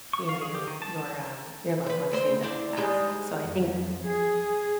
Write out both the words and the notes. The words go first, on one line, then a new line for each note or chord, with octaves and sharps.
you know, your your, um, your loved one too that had passed, so I think
C#6
F5
G#4
G4
D#3
A5
A5
B4 C5
D2 C4 C5
D4 E4 C5
G3 G#3 D#4
F2
G#4